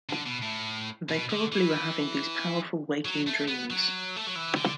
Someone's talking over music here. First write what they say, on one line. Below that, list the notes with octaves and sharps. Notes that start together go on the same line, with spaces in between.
They probably were having these powerful waking dreams.
D3
B2
A2
B2
D3
E3
F#3
A3
B3
F#3
A3
F#3
E3
D3